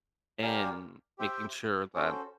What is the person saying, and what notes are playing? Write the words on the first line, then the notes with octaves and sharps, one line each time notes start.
and making sure that
G4 A#4 D5 F5 G#5
G4 C5 E5 G5
C#4 F#4 A4 C5